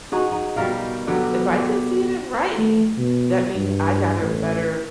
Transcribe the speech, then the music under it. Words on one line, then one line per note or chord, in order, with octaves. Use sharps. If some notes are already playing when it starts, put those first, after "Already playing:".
If I can see it in writing, that means I got a better
D#4 F#4 G#4
D#4
B2 G3 A#4 F5
D3 F#3 G3 B3
G4
A3
B2
G2
A1